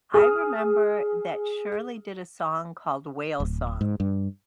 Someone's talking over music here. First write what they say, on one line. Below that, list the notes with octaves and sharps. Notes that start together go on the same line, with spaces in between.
I remember that Shirley did a song called Whale Song,
G#4 D#6 F6
D1
G#2
G2